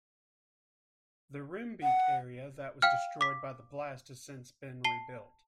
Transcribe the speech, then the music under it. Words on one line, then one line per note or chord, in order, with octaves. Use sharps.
The Roombeek area that was destroyed by the blast has since been rebuilt.
F#5
F5 G5 F6
D6 B6
A5 C7 G7